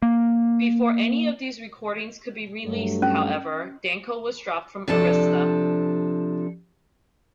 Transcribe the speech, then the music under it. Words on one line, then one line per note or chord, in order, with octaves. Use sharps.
Before any of these recordings could be released, however, Danko was dropped from Arista.
A#3
G2 F#3 A3
C#4
C3 F3 D4 A4